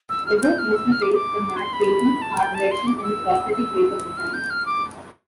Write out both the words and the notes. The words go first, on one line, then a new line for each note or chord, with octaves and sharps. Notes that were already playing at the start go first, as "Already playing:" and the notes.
Ebert mostly praised the matte paintings, art direction and prosthetic makeup design.
E6
F6
F6
G6
F6
E6
F6
D6
D6
C6
B5
A5
G5
A5
C6
D6
D6
E6
E6
F6
G6
F6
D6